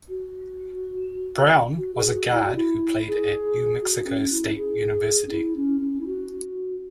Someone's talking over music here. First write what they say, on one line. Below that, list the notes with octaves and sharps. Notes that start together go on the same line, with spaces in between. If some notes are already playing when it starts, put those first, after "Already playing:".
Brown was a guard who played at New Mexico State University.
F#4
F#4
G#4
F#4
E4
F#4
E4
G#4
F#4
C#4
E4
G#4
C#4
E4
C#4
C#4
E4
F#4